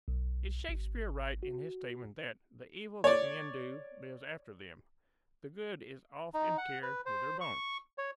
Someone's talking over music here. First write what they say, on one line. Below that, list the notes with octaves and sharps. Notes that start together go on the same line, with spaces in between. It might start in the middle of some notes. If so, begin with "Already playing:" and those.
Is Shakespeare right in his statement that "The evil that men do lives after them; the good is oft interred with their bones"?
B1
G#1
F#4
C#5 D5
D#4
F#5
B4
C5
C#6
C#5